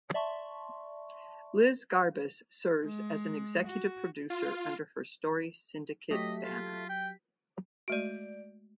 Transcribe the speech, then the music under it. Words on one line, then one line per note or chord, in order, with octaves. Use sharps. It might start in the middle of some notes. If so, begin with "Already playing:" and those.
Liz Garbus serves as an executive producer under her Story Syndicate banner.
D5 E5 A5 C6 C#6
G#3
F#4
F4
F#3 A3 G4 D#5 B6
F4
G5
G#3 A3 F#4 D5 D7